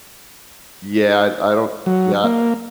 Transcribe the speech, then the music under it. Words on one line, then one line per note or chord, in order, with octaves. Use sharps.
Yeah, I I don't, yeah
F#3
A#3